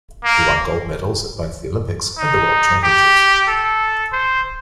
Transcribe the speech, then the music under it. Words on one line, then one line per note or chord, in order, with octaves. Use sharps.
He won gold medals at both the Olympics and the World Championships.
A#3
D#4
G4
A4
C5